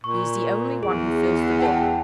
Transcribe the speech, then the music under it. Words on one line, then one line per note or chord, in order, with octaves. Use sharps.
He is the only one who fills the bill.
A#2 C#6
E2 G#4
F#5 G5 A5